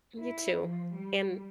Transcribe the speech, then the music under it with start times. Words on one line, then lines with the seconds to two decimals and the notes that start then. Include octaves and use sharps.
You too. And,
0.20 E4
0.61 F3
0.95 G3